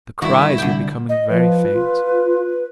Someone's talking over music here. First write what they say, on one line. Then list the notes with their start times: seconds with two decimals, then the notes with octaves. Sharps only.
The cries were becoming very faint.
0.22 B1 G2 D#3 E4 F#4
0.58 C2 D3 G5
1.09 D#5
1.29 F3 B4
1.72 F4